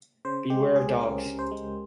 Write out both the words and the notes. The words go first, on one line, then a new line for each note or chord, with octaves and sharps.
Beware of dogs.
C#3 C5
G#3 G4
C#2 G#4
C#4 A#4
C#3
C5
G#3